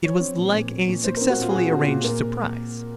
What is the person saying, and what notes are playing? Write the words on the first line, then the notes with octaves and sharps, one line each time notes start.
It was like a successfully arranged surprise.
F3 C#5
C4
A#2
A#2
A#2
A#2
A#2 C5
A#4
C4
F#4
A#2 F4
G#4
A#2 F#4
F#4
C4
F4
A#2
A#2 A#4